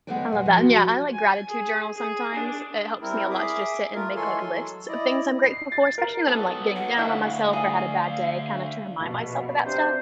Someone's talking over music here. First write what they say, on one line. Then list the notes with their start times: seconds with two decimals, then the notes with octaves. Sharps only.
I love that, and yeah, I like gratitude journals sometimes, it helps me a lot to just sit and make, like, lists of things I'm grateful for, especially when I'm, like, getting down on myself, or had a bad day, kinda to remind myself of that stuff.
0.07 G#3 B3 A4 B4 D5 G5
0.32 B2 G#3
0.46 F3 B4
0.57 F4 F#4 G5
1.13 G#5
1.47 G#4
1.96 G#4
2.34 D4
3.01 G3 C4 E4 A#4
3.30 G#4 E5 D6 D#6
3.94 A3 F4 A#4
4.16 E3 G#3 A4 C#5 G#5 C6
4.40 F#3
4.88 E4 D5 D#5
5.44 C7
5.72 A6
5.98 A#4
6.28 F#3 B3 A4
6.76 F#5
6.97 D2 E4 F5 F#5 B5
7.53 G#4 F5
9.00 A#1 B2
9.65 C3 D4 C5